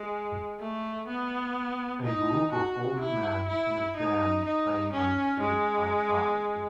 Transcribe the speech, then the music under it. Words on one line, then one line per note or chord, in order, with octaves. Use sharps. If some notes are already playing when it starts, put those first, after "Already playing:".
A group of older men in a band playing on a stage outside.
Already playing: G#3
A3
B3
D#4
F#4
E4
E4
D#4
D#4
C#4
G#3